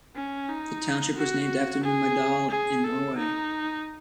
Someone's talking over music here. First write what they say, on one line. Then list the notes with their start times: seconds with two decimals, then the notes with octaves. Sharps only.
The township was named after Numedal, in Norway.
0.15 C#4
0.49 D#4
1.17 F#4
1.84 G#4
2.50 G#4
2.84 A4
3.18 D#4